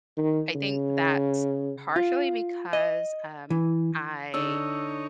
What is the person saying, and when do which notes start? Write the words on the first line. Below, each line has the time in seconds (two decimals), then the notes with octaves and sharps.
I think that's partially because, um, I
0.17 D#3
0.55 C#3
1.96 F4
2.73 D#5
3.50 E3
4.34 D3 D4 D#4 C#5 C#6 E6